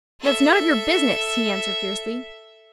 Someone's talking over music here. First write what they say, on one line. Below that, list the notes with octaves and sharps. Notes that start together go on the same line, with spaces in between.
"That's none of your business," he answered, fiercely.
A4 E5